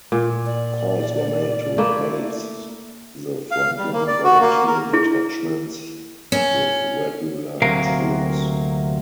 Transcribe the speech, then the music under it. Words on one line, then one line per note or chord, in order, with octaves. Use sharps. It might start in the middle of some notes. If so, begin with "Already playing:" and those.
Calls were made to replace the frontline volunteer detachments with regular troops.
A#2
D5
A3 A#3 E4
F5
G3
A#3
D5
F#4
A#3
A#4
E4 G#4
C#4
D2 C3 F#3 A#3 A#4 F5